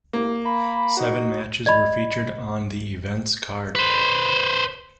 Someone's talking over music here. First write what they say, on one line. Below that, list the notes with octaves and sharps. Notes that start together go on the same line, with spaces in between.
Seven matches were featured on the event's card.
C2 A#3
F5 A#5 B5
D#4 F#4
D5 D#5 B5
B4 C5